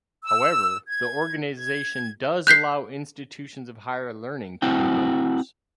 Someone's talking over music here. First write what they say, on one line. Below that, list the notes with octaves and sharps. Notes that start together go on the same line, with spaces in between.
However, the organization does allow institutions of higher learning to be members.
E6
G#6
G#6
F#6 G6 B6 C7
C4 E4 F#4 G5